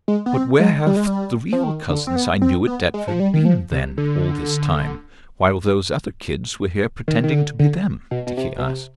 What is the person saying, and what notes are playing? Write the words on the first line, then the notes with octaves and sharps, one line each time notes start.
"But where have the real cousins I knew at Deptford been then--all this time--while those other kids were here pretending to be them?" Dickie asked.
G#3
B3
C4
G#3
G3
G#3
G3
F3
D#3
D3
C4
B3
C4
B3
G#3
F3
G3
D#3
F3
C3
D3
D#3
D#3
D3
D3
B2
B2
C3
B2
C3